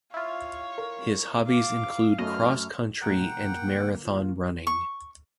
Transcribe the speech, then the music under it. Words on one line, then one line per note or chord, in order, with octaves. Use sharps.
His hobbies include cross-country and marathon running.
E4 F4 C#5 F5
A#4
F5 D6
F#2 A3 D#5 F6
A#2 A3 F#5 G5 A#5
D3 A#3
F4
C#6